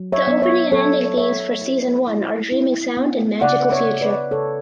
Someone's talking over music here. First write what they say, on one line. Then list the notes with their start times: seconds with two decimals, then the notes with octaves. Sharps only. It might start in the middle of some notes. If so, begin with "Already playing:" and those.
The opening and ending themes for season one are "Dreaming Sound" and "Magical Future".
Already playing: F#3
0.12 C#5 E5
0.28 B3
0.42 C#5 E5
0.72 F#3 A4 C#5
1.17 F#3 C#5 E5
1.62 E4
2.08 E4
2.52 E4
2.97 B3
3.41 C#3 D5 F#5
3.71 C#5 E5
3.87 C#3
4.01 B4 D5
4.31 C#3 A4 C#5